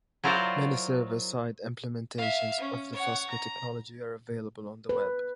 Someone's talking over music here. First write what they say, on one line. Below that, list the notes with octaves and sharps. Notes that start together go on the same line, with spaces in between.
Many server-side implementations of the Fusker technology are available on the web.
F#3 E4 F4 A#4 C5 D5
E5 F5
C#4
C#5 F#5
A#5
B4